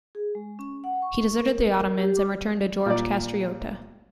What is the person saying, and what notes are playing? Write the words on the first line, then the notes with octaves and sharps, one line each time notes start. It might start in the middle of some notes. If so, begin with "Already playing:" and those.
He deserted the Ottomans and returned to George Kastriota.
G#4
G#3
C#4
F#5
C#6
A#4
G4
D6
A#2 D5